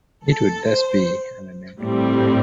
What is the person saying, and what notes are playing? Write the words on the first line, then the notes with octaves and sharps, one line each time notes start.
It would thus be a "memento mori".
A4
C5
A2 G3 C4